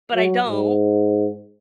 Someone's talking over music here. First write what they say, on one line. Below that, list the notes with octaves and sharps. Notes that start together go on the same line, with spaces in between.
but I don't.
F#3
G#2